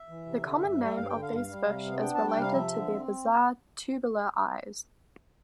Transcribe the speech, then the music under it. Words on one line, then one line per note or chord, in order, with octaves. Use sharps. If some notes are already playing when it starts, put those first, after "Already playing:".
The common name of these fish is related to their bizarre, tubular eyes.
Already playing: E5
E3
C3
D3
G2
G3
E5
G2 F5
D3 G5
F5
G2
F5
G3
C3
B3
D4 G5
G3 A5
G5
C3 F5
F3 E5
D3
C4